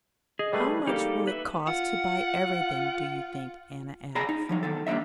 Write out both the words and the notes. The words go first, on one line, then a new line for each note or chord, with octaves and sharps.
'How much will it cost to buy everything, do you think?' Anna asked.
G#4 D#5
G3 A3 B4
G3 A#3 D#4 G4 A4
B4 E5
F4 F#5
G#4 D5 F5 G#5 A#5 B5
D#4
F3 F#3 D#4
E2 D#3 A4
G3 A#3 D4 D#4 E5